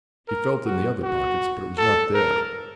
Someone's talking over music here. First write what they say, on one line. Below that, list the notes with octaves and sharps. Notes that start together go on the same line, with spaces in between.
He felt in the other pockets, but it was not there.
A#4
F#4
F#4
A4
A#4